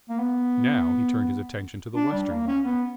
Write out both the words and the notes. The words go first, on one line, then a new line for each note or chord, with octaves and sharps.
Now he turned his attention to the western dial.
A#3
B3
D4
G3
A#3
C#4
B3